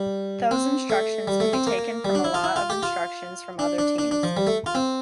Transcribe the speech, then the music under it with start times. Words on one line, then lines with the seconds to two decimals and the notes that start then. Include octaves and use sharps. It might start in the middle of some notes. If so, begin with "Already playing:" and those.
Those instructions can be taken from a lot of instructions from other teams.
Already playing: G3
0.51 C4
0.90 A3
1.27 G3
1.40 A3
1.53 C4
1.67 A#3
2.05 G3
2.15 D4
2.24 E4
2.34 F4
2.44 E4
2.56 F4
2.70 G4
2.83 F4
3.59 D4
3.78 D4
3.98 D4
4.11 D4
4.23 F3
4.37 G3
4.47 A3
4.66 F4
4.75 C4